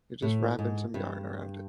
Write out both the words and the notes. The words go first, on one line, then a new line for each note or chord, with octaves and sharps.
you're just wrapping some yarn around it,
A2
G#2
G2